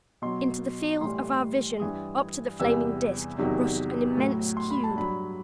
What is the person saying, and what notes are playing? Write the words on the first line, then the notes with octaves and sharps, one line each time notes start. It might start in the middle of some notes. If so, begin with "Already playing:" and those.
Into the field of our vision, up to the flaming Disk rushed an immense cube.
B2 F#3 C6
A2 E3 G3 C6
G2 E3 G3 D#6
E2 C3 E3 G3 E6
E2 C3 D#3 F#3
A2 F#3
C6
B5
A5
G2 F#3 B5